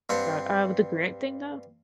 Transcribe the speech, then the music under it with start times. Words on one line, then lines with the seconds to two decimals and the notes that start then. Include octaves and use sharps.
God, uh, with the Grant thing though,
0.09 G2 C4 F#5